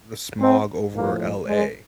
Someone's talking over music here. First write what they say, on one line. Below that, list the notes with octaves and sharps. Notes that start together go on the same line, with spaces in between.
the smog over LA.
C4
A#1 A2 F3 A#3
G#3